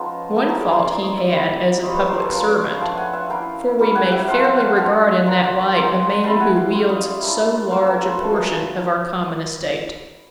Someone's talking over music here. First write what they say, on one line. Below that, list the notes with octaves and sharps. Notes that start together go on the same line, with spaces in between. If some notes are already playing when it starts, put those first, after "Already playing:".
One fault he had as a public servant--for we may fairly regard in that light a man who wields so large a portion of our common estate.
Already playing: F3 G#3 B3 C#4 D#4 F#4
A3 D4 F4 G4 A4
G#4 A#4
G#4 A#4
A#4 C5
G#3 C#4 E4 C5 D5
C#5 D#5
D5 E5
G3 C4 E4
G3 C4 F4 C#5 D#5
B4 C#5
A#4 C5
A4 B4
F3 G#3 C#4 A#4 C5
D5
B4 C#5
F5 G5
F3 A3 D4 F4 G5 A5
F#5 G#5
E5 F#5
A#3 C#4 E4 F5 G5
G3 A#3 C#4 E4
F#5 G#5
E5 F#5
F3 G#3 C#4 F4 F5 G5
E5 F#5
F5 G5
A3 D4 F4 F#5 G#5
A#3 D4 F4
G#3 C4 D#4
G3 C4 E4 G5 A5
F#5 G#5
F5 G5
G#3 C#4 E4 F5 G5
D#5 F5
D5 E5
G3 A#3 D4 F4
F#3 A#3 C#4 A#4 C5
A4 B4
A#4 C5
F3 A3 D4 F4 A4 B4
G#4 A#4